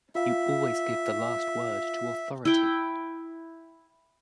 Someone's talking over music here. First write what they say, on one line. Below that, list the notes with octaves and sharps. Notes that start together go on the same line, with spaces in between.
You always give the last word to authority.
F4 E5 F5
E4 G5